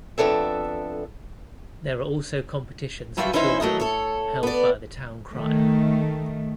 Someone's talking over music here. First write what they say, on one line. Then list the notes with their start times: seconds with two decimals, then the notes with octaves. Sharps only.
There are also competitions for children held by the town crier.
0.18 F2 B3 D4 A4 E5
3.17 G2 F#3 G3 F4 F#4 E5
3.33 E3 C#4 D#4 E4 C5
3.60 F#3 A3 A#4 D#5
3.80 A4 C#5
4.43 B3 D5
5.33 D#3 A3